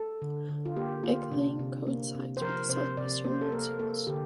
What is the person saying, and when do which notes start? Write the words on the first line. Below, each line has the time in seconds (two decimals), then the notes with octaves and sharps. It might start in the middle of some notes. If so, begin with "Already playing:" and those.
Egg laying coincides with the southwestern monsoons.
Already playing: A4
0.22 D3
0.49 D3
0.65 F4
0.76 A#3 G4
1.03 A#3 F4
1.31 C3 D4
1.59 C3
1.87 A#3
2.15 C3
2.37 C5
2.41 F3 A#4
2.69 C3 C5
2.97 C3 D5
3.24 A#3 C5
3.41 A4
3.52 A#3 A#4
3.79 A#3 A4
4.07 D3 G4